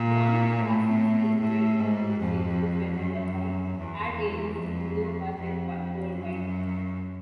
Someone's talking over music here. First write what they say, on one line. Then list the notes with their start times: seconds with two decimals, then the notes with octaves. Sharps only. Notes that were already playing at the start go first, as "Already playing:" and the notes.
John Krasinski narrated the commercials, which were developed by ad agency Leo Burnett Worldwide.
Already playing: A#2
0.61 A2
1.41 A2
1.79 G#2
2.19 F2
2.98 F#2
3.78 E2
4.57 F2
5.36 F2
6.15 F#2